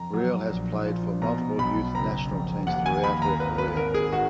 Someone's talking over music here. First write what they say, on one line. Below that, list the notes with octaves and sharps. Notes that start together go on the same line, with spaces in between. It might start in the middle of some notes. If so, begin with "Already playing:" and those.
Riehl has played for multiple youth national teams throughout her career.
Already playing: F2 A#5
F#3
A#1
F3
B2 A#5
B1 B5
F#1 A#5
F2
D#2 F#5
G#5
D#2 B5
A#5
G#1 B4
B4
G#1 A#4
G#4
D#3 F#4